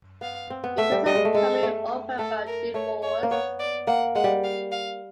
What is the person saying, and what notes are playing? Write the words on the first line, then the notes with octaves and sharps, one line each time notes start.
It is a family opera about divorce.
B3 F5
C4
B3
A3 E5
G3
G3 D#5
G#3
A3
G#3 A4
A3
A3 A4
A#4
A3 C#5
C#5
A#3
B3 C#5
D5
A#3 F#5
G#3 F#5
G3
F5
F5